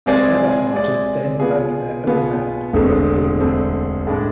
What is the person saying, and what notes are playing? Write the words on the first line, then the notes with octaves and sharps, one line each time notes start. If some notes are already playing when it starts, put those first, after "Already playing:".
The Eberharters then founded their own band, the Hey Mann!
C3 G#3 C4 G#4 D5
C3 G#3 C4 G#4 D5
B2 B3 F4 G#4
B2 B3 F4 G#4
E1 D2 D3 A3 C4
E1 D2 D3 A3 C4
A2 G#3 D4